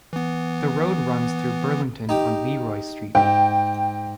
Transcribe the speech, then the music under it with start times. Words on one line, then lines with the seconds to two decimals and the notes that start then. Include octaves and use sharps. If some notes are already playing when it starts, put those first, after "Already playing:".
The road runs through Burlington on Leroy Street.
0.13 E3 B3
2.09 D#4 G4 G5
3.15 G#2 G5